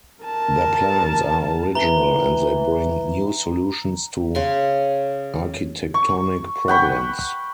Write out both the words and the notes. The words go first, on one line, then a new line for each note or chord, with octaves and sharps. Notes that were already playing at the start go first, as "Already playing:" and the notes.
Their plans are original and they bring new solutions to architectonic problems.
A#4 A5
E3 A#5 G7
C#3 C6
C#6
F#5 G5 B5 C#6